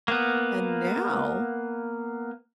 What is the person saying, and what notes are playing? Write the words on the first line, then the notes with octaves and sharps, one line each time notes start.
and now
A#3 B3